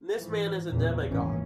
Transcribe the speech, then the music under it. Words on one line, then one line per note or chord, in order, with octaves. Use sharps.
This man is a demagogue.
G#2 E3 F3
E2 A#2 C#3
G#1 D#2 A2 E3 A#3 C#4